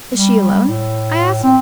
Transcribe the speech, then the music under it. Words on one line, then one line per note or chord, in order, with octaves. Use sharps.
"Is she alone?" I asked.
G3
A2
C4